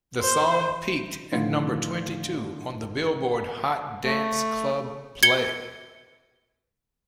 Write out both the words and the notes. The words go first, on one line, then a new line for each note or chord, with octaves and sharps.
The song peaked at number twenty two on the "Billboard" Hot Dance Club Play.
C5
A2 D3 D#3 F3 F4
A3
G#6 C#7 G7